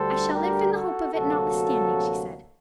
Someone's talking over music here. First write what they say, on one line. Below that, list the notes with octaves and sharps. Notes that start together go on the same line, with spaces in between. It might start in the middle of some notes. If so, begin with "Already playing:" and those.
"I shall live in the hope of it, notwithstanding," she said.
Already playing: D2 D3 G3 A4 C5
G4 A#4
F#4 A4
D2 C3 F#3 A#3 F#4 A4